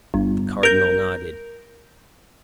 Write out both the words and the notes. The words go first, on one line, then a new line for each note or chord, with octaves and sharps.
The Cardinal nodded.
G1
A#4 G6